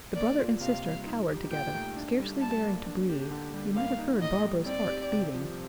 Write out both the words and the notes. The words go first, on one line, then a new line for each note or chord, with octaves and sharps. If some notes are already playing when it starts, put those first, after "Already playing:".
The brother and sister cowered together, scarcely daring to breathe; you might have heard Barbara's heart beating.
A#3 D5
F4
C3 F5
G3
D#4
G4
A#2 G5
A3
D4
G3
G3 A5
A#3
D4
G4
D3
G3
A#3 F5
D#4
A2 D#5
G3
C4 D5
G4
C3
F3